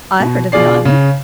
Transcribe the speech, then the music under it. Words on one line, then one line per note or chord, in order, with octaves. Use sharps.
"I heard of none."
B2
B2 F4 G#4 D5 C7
C#3